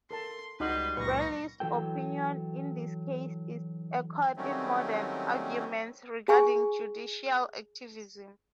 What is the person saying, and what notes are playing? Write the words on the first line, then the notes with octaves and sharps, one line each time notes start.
Bradley's opinion in this case is echoed in modern arguments regarding judicial activism.
A4 A#4 A5 C6
C#2 G3 D#4 F#4 B4 D#5 C6
C#2 F#2 A#2 B4 C#6 A#6
E3 F#3 A4 G5
D#3 F#3 G3 A3 C4 C#4
G#4 G#5 C#6